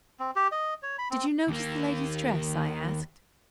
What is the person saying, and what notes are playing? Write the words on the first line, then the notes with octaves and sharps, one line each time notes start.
"Did you notice the lady's dress?" I asked.
C4
G4
D#5
C#5
B5
C4
D#2 A#3